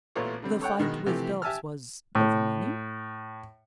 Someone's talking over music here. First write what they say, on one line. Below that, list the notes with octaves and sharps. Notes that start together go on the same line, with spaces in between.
"The fight with Phelps was over money?"
A1 A#2 A3 B3 F4 C#5
D3 G3 C4
A4 C#5 F#5 G5
B2 D#3 G#3
C3 E3 F3 A3 G4
G4 E5 G#5 A5 E6 F6
A2